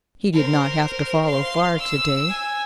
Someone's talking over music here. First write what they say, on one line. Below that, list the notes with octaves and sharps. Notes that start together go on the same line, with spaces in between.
He did not have to follow far to-day.
A#4 C5
F5 C6
E6
G#5